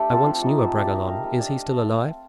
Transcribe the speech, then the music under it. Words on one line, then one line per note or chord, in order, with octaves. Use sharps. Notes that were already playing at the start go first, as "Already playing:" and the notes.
"I once knew a Bragelonne--is he still alive?"
Already playing: A3 D4 G4 C5
C4 F4 A4
F3
A3 D#4
C4
G4 D5
D#4
A#4 F5
A3
D4 A4 D#5